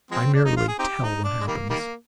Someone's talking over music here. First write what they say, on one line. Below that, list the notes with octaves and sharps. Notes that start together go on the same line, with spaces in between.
I merely tell what happens.
F3 G#3 C4
D4
D#4
F4
G#4
C4 D#4 G4
D#4
D4
G#3
D#3 G3 A#3
D#3 G3 A#3